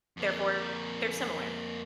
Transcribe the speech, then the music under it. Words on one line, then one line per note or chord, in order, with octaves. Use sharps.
therefore, they're similar,
F2 A#3